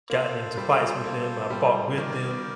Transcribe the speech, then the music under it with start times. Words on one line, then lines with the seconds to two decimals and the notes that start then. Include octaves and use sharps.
gotten into fights with them, I've fought with them,
0.10 A#3 A4 C5
0.57 G3
1.04 A#3
1.50 G3
1.97 D#3 A#4 D5